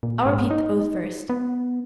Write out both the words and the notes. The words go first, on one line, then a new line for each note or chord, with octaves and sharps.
I'll repeat the oath first.
A#2
G#2
D#4
B3